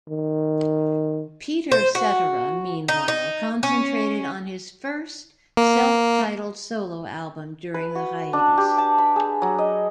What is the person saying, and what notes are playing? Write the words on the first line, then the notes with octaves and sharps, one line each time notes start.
Peter Cetera, meanwhile, concentrated on his first self-titled solo album during the hiatus.
D#3
C5
F#4
D#4
D#4
C#4
A#3
B4
F#4
D4
G4
A5
B5
G#4
F#3
D#5